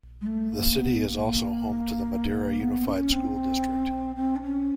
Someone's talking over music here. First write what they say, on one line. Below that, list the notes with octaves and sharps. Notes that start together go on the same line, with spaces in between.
The city is also home to the Madera Unified School District.
G#3
A3
A#3
B3
A#3
B3
C#4
C4
C4
D4
C#4